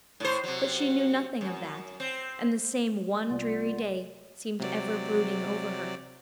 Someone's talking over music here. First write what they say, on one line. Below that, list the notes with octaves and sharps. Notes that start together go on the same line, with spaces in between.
But she knew nothing of that, and the same one dreary day seemed ever brooding over her.
A2 C5
C3 F#3
F#2
C4
C2 B3 F4 D5
C3 F#3 D5